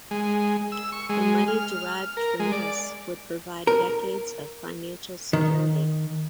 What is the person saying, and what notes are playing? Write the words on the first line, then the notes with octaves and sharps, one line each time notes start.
The money derived from this would provide decades of financial security.
G#3
E6
C#6
G#3
F6
A#4
G#3
D5
A#4
D#3